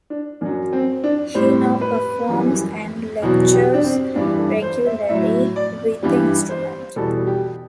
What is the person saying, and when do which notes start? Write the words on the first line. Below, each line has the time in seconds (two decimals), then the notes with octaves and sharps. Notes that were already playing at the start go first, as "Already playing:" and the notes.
He now performs and lectures regularly with the instrument.
0.10 D4
0.41 F#2 F#3 D4
0.73 C4
1.04 D4
1.35 A2 G3 C5
1.81 B4
2.28 F#2 E3 G3
3.22 E2 B2 F#3
3.53 G4
3.74 D4
3.84 C4
4.15 G2 E3 G3 D4
4.39 A4
4.62 C5
4.86 E5
5.09 A2 F#3 E5
5.56 D5
6.03 G2 E3 G3
6.49 C5
6.96 E2 B2 G3 A4
7.27 G4